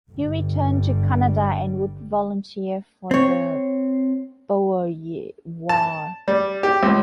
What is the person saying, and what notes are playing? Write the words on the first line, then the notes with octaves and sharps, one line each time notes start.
He returned to Canada and would volunteer for the Boer War.
G1 G3
C4 C#5
A5
G3
G4
C#2